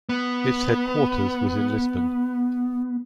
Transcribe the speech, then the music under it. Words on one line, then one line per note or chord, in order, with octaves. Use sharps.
Its headquarters was in Lisbon.
B3